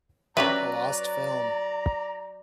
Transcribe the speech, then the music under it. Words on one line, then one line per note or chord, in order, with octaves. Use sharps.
A lost film.
F#3 C#4 G4 B4 D5 E5 A#5